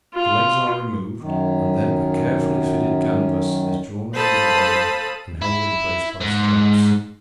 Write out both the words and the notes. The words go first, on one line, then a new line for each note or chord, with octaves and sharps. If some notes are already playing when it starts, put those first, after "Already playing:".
The legs are removed and then a carefully fitted canvas is drawn over the body and held in place by straps.
F4
F#2 D#3
A4 C5 F5 A5 B5 D#6
E4
G#2